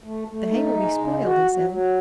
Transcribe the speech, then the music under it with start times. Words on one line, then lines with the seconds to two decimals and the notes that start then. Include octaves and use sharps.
"The hay will be spoiled," he said.
0.04 A3
0.28 A3
0.51 D#4
0.75 G#3
0.98 C#3
1.23 F#4
1.46 F#3
1.70 F#3